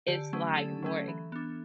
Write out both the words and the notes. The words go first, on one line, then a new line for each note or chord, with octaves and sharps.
it's like more
D3 G4
F#3 A3 C#4
D3 A4
F#3 A3 C#4
E3
B3 D4